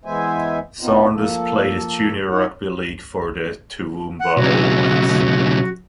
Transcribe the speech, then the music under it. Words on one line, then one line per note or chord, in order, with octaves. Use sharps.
Saunders played his junior rugby league for the Toowoomba All Whites.
E3 G#3 B3 C5 E5 G#5
A#2 B3 C4 D#4 F4
F3 A#3 A4
D#4 F4 C#5 F#5
F#5
B1 C#3 F#4